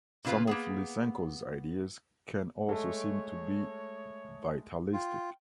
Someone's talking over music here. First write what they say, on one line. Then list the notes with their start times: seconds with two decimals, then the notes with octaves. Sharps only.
Some of Lysenko's ideas can also seem to be vitalistic.
0.25 A#2 C#3 F4 B4 F5
0.47 A#3 B3 G#4
2.69 G#3 A3 A4 C#5
4.93 F4 G5